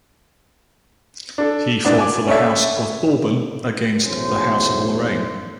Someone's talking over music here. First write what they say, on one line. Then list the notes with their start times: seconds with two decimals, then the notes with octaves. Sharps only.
He fought for the House of Bourbon against the House of Lorraine.
1.38 D4 A4
1.84 G#2 B3 D4 E4
1.98 G#5 D6
2.27 C#4 A4 C#5 D5 E5
4.04 B1 E2 G#2 A3 C#4 C5